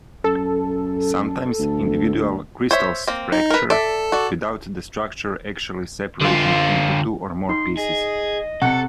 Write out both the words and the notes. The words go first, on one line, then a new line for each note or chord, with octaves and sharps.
Sometimes, individual crystals fracture without the structure actually separating into two or more pieces.
F#2 A4
D2
C5 C#5 E5
A#3 C4
D#4
A#4 B4
A4 D5 E5
F#4 D5
D3 F4
D#4 C6
G#4 D#5
C3 A4 F#5